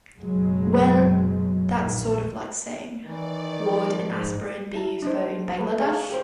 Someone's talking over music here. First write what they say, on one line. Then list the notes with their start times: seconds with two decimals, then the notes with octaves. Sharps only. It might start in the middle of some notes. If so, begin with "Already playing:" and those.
Well, that's sort of like saying, 'Would an aspirin be useful in Bangladesh?
0.19 F#1 B2 F#3 G#3
1.74 A#1 D#2 A#2 D#3
3.05 D#3 E3 D5
3.59 F3
3.95 G#2
4.74 E4 A5 A#5
5.02 D4 D#4 C5
5.22 C5
5.58 A3 A4 B4
5.81 G#4 C#5 F5 A5
6.10 G4 A#4 C5